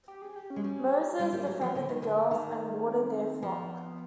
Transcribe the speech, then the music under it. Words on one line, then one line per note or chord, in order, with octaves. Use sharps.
Moses defended the girls and watered their flock.
G4
G#4
G4
C#4
G#3
G3 C#4
G3 C4
G3 A#3
F#3 G#3
F3
D3
D#3
D3
D#3
C4
F3 B3